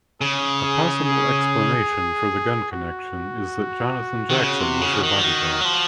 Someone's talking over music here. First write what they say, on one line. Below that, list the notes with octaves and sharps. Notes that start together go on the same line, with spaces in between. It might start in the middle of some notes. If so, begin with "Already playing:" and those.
A possible explanation for the gun connection is that Jonathan Jackson was her bodyguard.
C#3 G#4
G#4
G#4
F#4
D#3
C#3
C3
C#3
F3
D#3
F3
D#3
F#3
F3